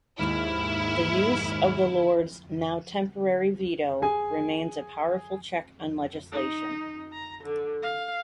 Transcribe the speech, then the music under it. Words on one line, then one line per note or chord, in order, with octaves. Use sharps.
The use of the Lords' now temporary veto, remains a powerful check on legislation.
D#2 G#2 E4 F6
G#4 G#5
D#4
A#5
D3
F5